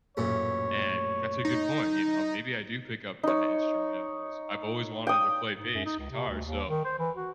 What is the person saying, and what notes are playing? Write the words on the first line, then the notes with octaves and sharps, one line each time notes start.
and that's a good point, you know? Maybe I do pick up that instrument I've always I've always wanted to play bass guitar, so,
A1 F#2 A#2 C#5
D#4
D#4 C#5
G5 D#6
G#2
F#2
D#4
C#2
C3
D2
D#2
D#3
C5
E3
F#4